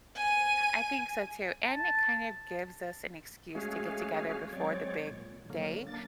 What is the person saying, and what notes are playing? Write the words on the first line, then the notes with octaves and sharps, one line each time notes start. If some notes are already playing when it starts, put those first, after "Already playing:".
I think so too, and it kind of gives us an excuse to get together before the big day.
G#5 D#7
A5
G#3 A3 C#4 F#4 G#4 F5
F#3 G#3 C4 C#5 D5
A#2
D3 F#3 A#3
A#3 D4 A6